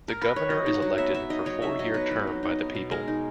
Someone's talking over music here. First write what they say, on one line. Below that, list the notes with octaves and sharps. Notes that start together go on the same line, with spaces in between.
The governor is elected for four-year term by the people.
A#4
B4
C#5
F#3 D#5
D#4
F#5
F#3
B3 E5
F#3 E5
D#4 D#5
F#3 C#5
D#4 E5
F#3 D#5
B3 B4
F#3
D#4
D#4
B3
B2
G#3 A#4
D#4